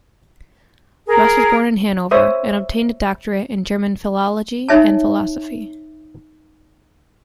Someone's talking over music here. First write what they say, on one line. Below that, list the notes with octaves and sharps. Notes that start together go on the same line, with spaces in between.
Rust was born in Hannover, and obtained a doctorate in German philology and philosophy.
G#4 A#4
C5 C#5 E5 D#6
D#4 C#5 E5 G#5 A5